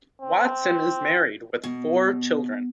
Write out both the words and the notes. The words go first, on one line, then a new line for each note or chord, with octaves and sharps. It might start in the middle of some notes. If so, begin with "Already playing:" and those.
Watson is married with four children.
C4
B2